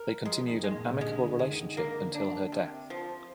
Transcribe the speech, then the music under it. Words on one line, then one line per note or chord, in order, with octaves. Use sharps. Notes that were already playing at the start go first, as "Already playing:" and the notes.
They continued an amicable relationship until her death.
Already playing: A#4
F3 G#3
D#3
G#3
A#2
C3
D3 G#3
D3
D#3
D3 G#3
D#3
D3 A#3
D4
C3
F3